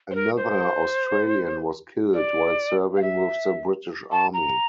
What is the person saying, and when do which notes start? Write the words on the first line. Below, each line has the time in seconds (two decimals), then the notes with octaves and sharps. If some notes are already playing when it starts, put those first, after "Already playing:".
Another Australian was killed while serving with the British Army.
0.11 C5
0.15 A#4
0.37 C5
2.14 D5
2.97 F5
3.02 E5
4.12 A5
4.34 A#5